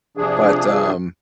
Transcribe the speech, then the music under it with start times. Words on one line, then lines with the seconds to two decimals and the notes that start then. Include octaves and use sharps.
But, um,
0.17 C3 F3 D4 G#4